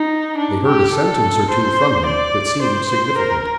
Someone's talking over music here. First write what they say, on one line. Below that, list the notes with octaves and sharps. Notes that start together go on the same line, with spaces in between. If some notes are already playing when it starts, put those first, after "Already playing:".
They heard a sentence or two from him that seemed significant.
Already playing: D#4
D4
G4
A4
C5
D5
C5
C5
A#4